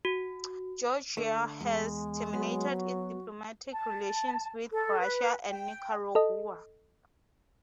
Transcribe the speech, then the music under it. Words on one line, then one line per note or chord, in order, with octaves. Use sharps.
Georgia has terminated its diplomatic relations with Russia and Nicaragua.
F#4
D3 A3
E2 G#3
F#3 B3
F#4
A5
A4
B4
G5
A4 D#5